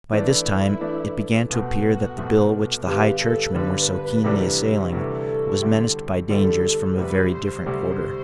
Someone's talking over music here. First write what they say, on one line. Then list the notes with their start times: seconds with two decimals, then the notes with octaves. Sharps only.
But by this time it began to appear that the bill which the High Churchmen were so keenly assailing was menaced by dangers from a very different quarter.
0.12 E3 A3 D4 E4
0.81 E3 A3 D4
1.49 C2 B2 A3 C4 F#4
2.18 C2 B2 A3 C4
2.87 G2 D3 G3 B3 G4
3.21 A4
3.55 G2 D3 G3 B3 B4
4.23 D2 C3 E3 G3 D4
4.92 D2 C3 E3 G3 D4 A4
5.60 D3 G3 C4 E4 G4
6.29 D3 G3 C4 E4 G4 A4
6.97 D2 C3 G3 B4
7.32 C5
7.66 D2 C3 G3 C5